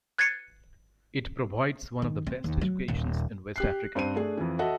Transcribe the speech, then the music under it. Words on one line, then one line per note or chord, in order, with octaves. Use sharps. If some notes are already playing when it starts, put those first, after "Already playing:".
It provides one of the best educations in west Africa.
F#6 G#6 A6 C7 C#7 D#7
D#3
C4
D#2
F#3
D#1
G4 F#6 C7
G2 C4 C5 D#7
A3 D4 G#4
F2 E3
F#4 A4 D#5 E5 F#5